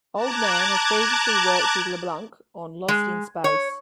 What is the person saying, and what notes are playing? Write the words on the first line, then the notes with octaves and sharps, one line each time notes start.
Oldman had previously worked with LeBlanc on "Lost in Space".
A5 A#5 D6 F#6 G#6
G#3
C#5